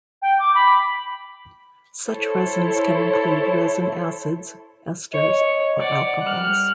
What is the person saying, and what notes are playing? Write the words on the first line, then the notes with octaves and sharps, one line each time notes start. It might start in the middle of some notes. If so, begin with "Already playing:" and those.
Such resins can include resin acids, esters, or alcohols.
G5
D6
B5
E4 A4 C5 C#5
C#5 D#5
D5 F#5
G3 F6 F#6